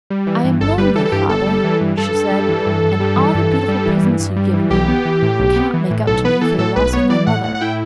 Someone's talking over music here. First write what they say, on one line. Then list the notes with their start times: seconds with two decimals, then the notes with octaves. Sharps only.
'I am lonely, father,' she said, 'and all the beautiful presents you give me cannot make up to me for the loss of my mother.
0.10 G3
0.27 E3
0.44 G2
0.60 G1 A4
0.78 G3 B4
0.95 E3 A4
1.05 A4
1.12 G2 G4
1.29 G1 A4
1.46 G3
1.64 E3
1.81 G2
1.97 G2 A4
2.14 G2
2.32 G3
2.49 E3
2.66 G2
2.83 G2
3.00 G3
3.17 E3
3.35 G2
3.51 G2
3.68 G3
3.85 E3
4.03 G2
4.20 G2
4.36 G3
4.53 E3
4.70 B1 G4
4.88 B3
5.05 E3
5.22 A2
5.40 B1
5.56 B3
5.74 E3
5.90 A2
6.07 B1 A4
6.24 B3 B4
6.41 E3 A4
6.58 A2 A4
6.76 B1 B4
6.93 B3 C#5
7.10 E3 D5
7.26 A2 F#5
7.44 A2 F#5
7.55 F#5
7.61 E4 G5